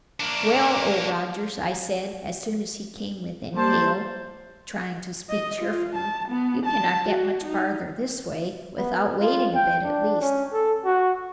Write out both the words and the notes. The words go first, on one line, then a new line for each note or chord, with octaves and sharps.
"Well, Old Rogers," I said, as soon as he came within hail, trying to speak cheerfully, "you cannot get much farther this way--without wading a bit, at least."
A#3 D4
G3 A#3 C5 A5
D#5
F4
A5
B3
A5
F#4
D#4
B3
F4
G5
D4
C#4
A4
F#4